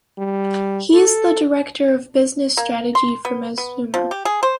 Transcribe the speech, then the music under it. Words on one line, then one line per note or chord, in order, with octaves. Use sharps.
He is the Director of Business Strategy for Mazzuma.
G3
A4
A#3
C6
B3
B3
F3
G4
G#4
C5